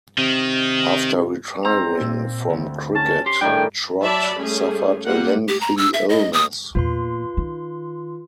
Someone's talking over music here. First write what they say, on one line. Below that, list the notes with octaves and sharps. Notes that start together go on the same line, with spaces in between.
After retiring from cricket, Trott suffered a lengthy illness.
C3 D#3
C4 A#5
A#2
D2
C#4 A5
G4 C6
A2 D#3 G3 D4 G#4 G5
F#3 D5 E5 A5 B5
G3 A3 C#4 G#4
G3 A#3 F4 F#5
G4
A#5
E6
E5
D#5
D#6
E2 A#2 F4 B4 C6
D#3